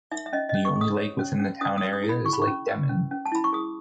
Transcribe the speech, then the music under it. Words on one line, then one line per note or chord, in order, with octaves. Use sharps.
The only lake within the town area is lake Demmin.
D#4 E5
E5
C#4 D#5
D#5
C#4
C#6
G#4
D#6
C#5
C#4
C#4
C#4 D#6
D#6
B4
D#6
E4
B5
G#4 C#6
B5
C#6
C#4
B4
C#4
C#4
A5
E4 B5
C#6
G#4 D#6